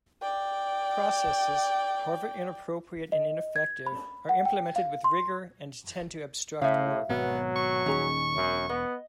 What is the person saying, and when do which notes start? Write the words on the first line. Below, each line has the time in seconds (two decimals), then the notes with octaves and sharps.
Processes, however inappropriate and ineffective, are implemented with rigor and tend to obstruct work.
0.22 D5 G5
3.12 D#5
3.56 G#6
3.87 B5
4.29 F#5
4.45 G5
4.76 F5
5.04 C6
6.62 A2 C#3 E5 F5
7.09 G#1 B2 F#3 B3
7.56 C#6
7.86 D#1 D#3 C#4 G#4 A#5
8.36 E1 F#2
8.69 B3 D#5